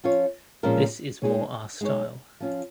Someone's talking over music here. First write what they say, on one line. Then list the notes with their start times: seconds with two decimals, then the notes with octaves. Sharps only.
This is more our style.
0.04 F3 C#4 F4 C#5
0.63 A#2 F3 G#3 C#4 A#4
1.22 G#3 D#4 G#4 C#5
1.81 G#3 D#4 G#4 C#5
2.40 F3 C#4 F4